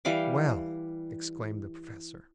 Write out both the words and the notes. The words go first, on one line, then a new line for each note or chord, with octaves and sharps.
"Well!" exclaimed the Professor.
E3 G3 F5 D6